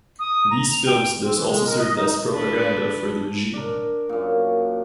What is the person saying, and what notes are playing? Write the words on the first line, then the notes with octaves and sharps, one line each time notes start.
These films thus also served as propaganda for the regime.
D#6
A#5
F7
G5
C4
E3
G#3
A#4
D#5
D#4
D4 B4
D4 A#4
F#2 A#2